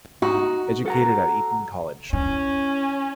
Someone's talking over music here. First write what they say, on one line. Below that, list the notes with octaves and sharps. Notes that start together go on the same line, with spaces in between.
Educated at Eton College.
D#4 F#4
A4 F#5 A#5
C#4 E4